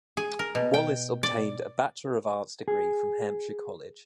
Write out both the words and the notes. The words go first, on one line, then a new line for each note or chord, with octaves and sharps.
Wallace obtained a Bachelor of Arts degree from Hampshire College.
G#4
A#4
B2
G5
D5
G#4